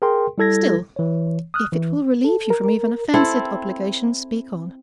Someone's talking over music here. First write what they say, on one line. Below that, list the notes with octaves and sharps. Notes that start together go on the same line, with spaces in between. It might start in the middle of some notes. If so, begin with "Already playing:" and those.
Still, if it will relieve you from even a fancied obligation, speak on.'
G#4 A#4 G5 C6
G3 E4 A4 G#6 A#6
E3 C#5
D#6 F6 F#6
E3
A4
A#4
C4 E4 A4